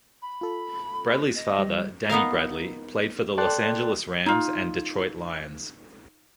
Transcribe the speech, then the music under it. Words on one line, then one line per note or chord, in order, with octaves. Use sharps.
Bradley's father, Danny Bradley, played for the Los Angeles Rams and Detroit Lions.
B5
F4 A4
D#5
G3
B3 D#4 A#4 F5
A4 D5 G5 A5 C6 F#6
D#4 F4